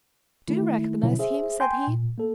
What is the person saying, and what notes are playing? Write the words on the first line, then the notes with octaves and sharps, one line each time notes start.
"Do you recognize him?" said he.
D#3 A3 E4
B2 D3 F3 F#3 C#4 E4
G#4 C5 E5
G5 G#5 C6 G6
A#2
A#3 A4